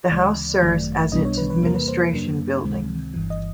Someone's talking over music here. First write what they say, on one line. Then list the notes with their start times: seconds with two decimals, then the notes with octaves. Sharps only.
The house serves as its administration building.
0.11 D2 C#3 E3 G#3 D5
0.62 G#1 F#2 D#3 F#3 A3
1.12 B1 B2 G3 B3 D4 D#5
1.25 C#5
1.37 B4
1.50 B4
1.63 E2 C3 E3 G3 A#3 A#4
1.75 B4
1.88 C5
2.13 F#2 C#3 F#3 A#3 D4
2.63 C#2 C3 D#3 G#3 C4
3.14 G1 G2 E3
3.30 D#5